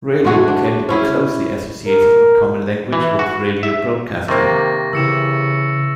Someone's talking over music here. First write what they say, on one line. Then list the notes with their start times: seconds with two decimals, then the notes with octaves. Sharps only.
Radio came to be closely associated in common language with radio broadcasting.
0.24 G#3 A3 F#4 G#4
0.48 D4
0.89 C#4 E4 G#4
1.87 A#4
2.93 E3
3.19 F#4
3.63 E5
4.28 C3 D#3 A#3 C5 C#6 A6 A#6
4.93 C#3 E3 E6 C#7 E7